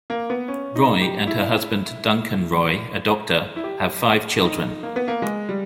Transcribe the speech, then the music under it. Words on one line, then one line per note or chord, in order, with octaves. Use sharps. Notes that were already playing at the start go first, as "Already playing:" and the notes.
Roy and her husband Duncan Roy, a doctor, have five children.
A#3
B3
C#4
D#4
G4
E4
E4
G4
D#4
A#3
B3
A#3
G#3
G3